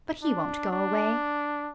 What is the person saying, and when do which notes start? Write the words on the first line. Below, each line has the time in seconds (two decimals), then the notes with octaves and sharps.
But he won't go away.
0.22 D4
0.71 D4